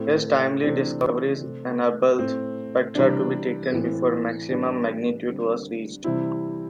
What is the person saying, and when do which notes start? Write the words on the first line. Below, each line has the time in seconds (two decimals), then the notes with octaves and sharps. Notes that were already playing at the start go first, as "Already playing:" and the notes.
His timely discoveries enabled spectra to be taken before maximum magnitude was reached.
Already playing: A2 A3 C4
0.64 C3 E3 A3 C4 D4
1.41 C3 A3 C4
2.19 A2 A3 C4
2.95 C3 E3 G3 C4 D4
3.72 A2 E3 C4
4.50 A2 E3 G3 C4 D4
5.28 D3 G3 C4
6.04 C3 E3 G3 C4 E4